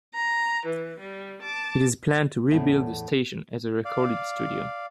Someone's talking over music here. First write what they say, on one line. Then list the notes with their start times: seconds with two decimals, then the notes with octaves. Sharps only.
It is planned to rebuild the station as a recording studio.
0.14 A#5
0.65 E3
0.99 G3
1.42 A5 D6
2.51 E2 A2
3.85 D5 F5